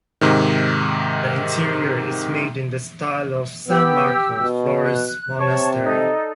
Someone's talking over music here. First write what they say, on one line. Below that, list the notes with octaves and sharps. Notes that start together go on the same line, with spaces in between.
The interior is made in the style of San Marco, Florence monastery.
G#2 C3 D#3
B3 G4 E6
B2
F#6
C3 C#5 A5 C#6
D#4 A4 D5